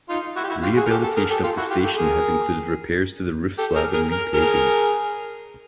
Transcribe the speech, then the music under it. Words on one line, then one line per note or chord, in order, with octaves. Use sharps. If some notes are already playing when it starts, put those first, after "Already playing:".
Rehabilitation of the station has included repairs to the roof slab and repaving.
D#4 F4
E4 F#4
G4
E4 F#4
F4 G4
F#4 G#4
A#4
G4 A4
G4 A4
G#4 A#4
G4 A4
F4 G4
E4 F#4
F4 G4
G4 A4
G#4 A#4
G4 A4
G#4 A#4
G#4 A#4
A#4
G#4 A#4